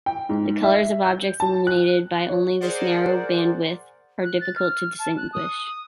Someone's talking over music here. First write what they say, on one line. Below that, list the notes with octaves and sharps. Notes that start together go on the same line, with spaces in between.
The colors of objects illuminated by only this narrow bandwidth are difficult to distinguish.
G5
G#2
E5
G6
A5
F#6
C#5
G#4 A#4 C5 D5 F#5
F#6
A6
F6
A5
F#6
D#6